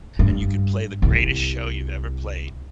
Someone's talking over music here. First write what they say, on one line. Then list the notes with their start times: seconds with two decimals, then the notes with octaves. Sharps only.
and you could play the greatest show you've ever played,
0.19 G2
1.02 C2